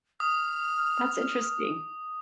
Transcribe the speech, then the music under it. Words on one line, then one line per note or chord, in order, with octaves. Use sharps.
that's interesting.
D#6 F6